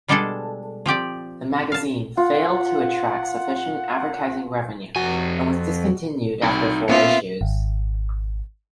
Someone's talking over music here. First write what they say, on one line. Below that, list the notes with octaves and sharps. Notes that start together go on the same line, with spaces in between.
The magazine failed to attract sufficient advertising revenue and was discontinued after four issues.
B2 G3 G#3 D4 G#4 A4
F3 C4 G4 D5
F5 A5
F4 F#5
F2 F#4 G#5
C2 D#4 B5
A#2 B3 C#4 F4 E5 C#7
G#1